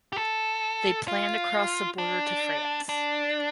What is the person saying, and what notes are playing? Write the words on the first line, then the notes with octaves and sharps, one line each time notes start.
They plan to cross the border to France.
G4
A4
F4
D4
D4